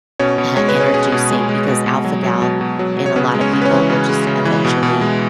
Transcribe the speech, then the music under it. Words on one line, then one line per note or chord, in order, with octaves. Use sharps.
uh, introducing Because alpha-gal in a lot of people will just eventually
B2 C#4 C#5
B2
G#3 C#5
B4
G#3 C#4 C#5
B2 G#4
B2
G#3
G#3
B2
B2
F#3
F#3
B2
B2
F#3
F#3
C#5
C#3 B3 B4
G#3
C#4 C#5
C#3
B4
C#4 C#5
E3
C#3
G#3
C#3
E3
B2
B2
G#3